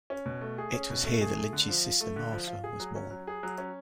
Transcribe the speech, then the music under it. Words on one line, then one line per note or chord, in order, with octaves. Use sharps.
It was here that Lynch's sister Martha was born.
C#4
B2
A3
G#4
C#4
B2
A3
G#4
A3
D3
F3
F4
A3
D3
F3
F4
G#4
F#3
C#4
F#3
G#4
F#3
C#4